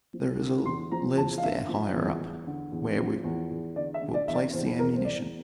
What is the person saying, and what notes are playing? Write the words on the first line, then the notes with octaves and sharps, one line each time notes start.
There's a ledge there higher up where we will place the ammunition.
F3
D3
E2 C6
F3 A#5
E2 A5
F5
D3 E5
F3
E2
E2
D3
E2
F3
E2
E2
D3 D5
E5
D3
D5
E2 E5
D5
E2 C5
E2 A#4
C5
E2 D5